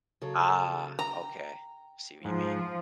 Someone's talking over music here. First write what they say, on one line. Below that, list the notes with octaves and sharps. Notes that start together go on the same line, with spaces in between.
Ah, okay, see what you mean.
C#3 F#3 A4
G5 A#5
G#2 F3